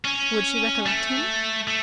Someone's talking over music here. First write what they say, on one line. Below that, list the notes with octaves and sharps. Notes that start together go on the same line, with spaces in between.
Would she recollect him?
C#4
A3
A3